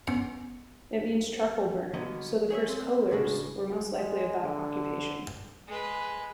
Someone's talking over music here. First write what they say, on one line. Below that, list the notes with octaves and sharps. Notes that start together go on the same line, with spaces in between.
It means, "charcoal burner" so the first "Kohlers" were most likely of that occupation.
B3 C#4 C#7
D3 F#3 A#3 B3 F#4 D#5
G#4 C#5 D#5 E5
C4
A2 C#3 D4 F#4
G#3
D3
G#3 B4